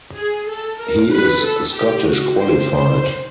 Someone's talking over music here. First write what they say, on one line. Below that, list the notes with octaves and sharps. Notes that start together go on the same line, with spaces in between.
He is Scottish qualified.
G#4
A4
A#4
B4
A4
G4
F#4
C5
C5